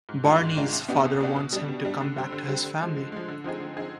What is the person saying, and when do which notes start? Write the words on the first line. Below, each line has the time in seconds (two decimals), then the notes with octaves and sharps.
Barney's father wants him to come back to his family.
0.09 G#2
0.25 D#3 G#3 D4 F4
0.40 G#2
0.56 D#3 G#3 D4 F4
0.73 C2
0.89 B2 B3 D4 G4
1.05 C2
1.21 B2 B3 D4 G4
1.36 B2
1.53 G3 D4
1.68 B2
1.85 G3 D4
2.01 D3
2.16 G3 C4
2.32 D3
2.48 G3 C4
2.64 D3
2.81 F3 G#3
2.96 D3
3.12 F3 G#3
3.28 D3
3.44 F3 C4 D#4 G#4
3.60 D3
3.77 F3 C4 D#4 G#4